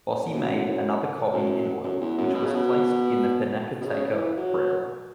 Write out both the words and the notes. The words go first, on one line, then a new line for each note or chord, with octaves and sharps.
Bossi made another copy in oil, which was placed in the Pinacoteca Brera.
F#2
F#2
F#2
E2
F#2
B2
C#3
B2
B2
C#3
E3
F#3